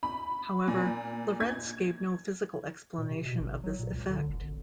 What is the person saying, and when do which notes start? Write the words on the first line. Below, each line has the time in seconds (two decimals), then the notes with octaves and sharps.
However, Lorentz gave no physical explanation of this effect.
0.03 B5
0.68 A#2
1.40 G#6
2.98 A#2
3.11 C3
3.25 B2
3.39 G#1
3.63 F#3
3.79 A#2
3.92 C#2
4.09 D3
4.28 F#1
4.41 G#1